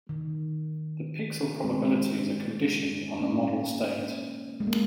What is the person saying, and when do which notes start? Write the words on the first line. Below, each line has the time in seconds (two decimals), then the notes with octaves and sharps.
The pixel probabilities are conditioned on the model state.
0.09 D#3
1.64 G#3 C4
3.20 A#3 C#4
4.60 G#3
4.67 A#3